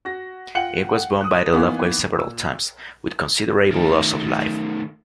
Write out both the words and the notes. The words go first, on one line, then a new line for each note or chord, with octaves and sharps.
It was bombed by the Luftwaffe several times, with considerable loss of life.
F#4 A#6
F4 F#5 G5 C#7 F#7
D#6 F#6
E3 A#3 B3 D#4
A#2 E6
D#3 A3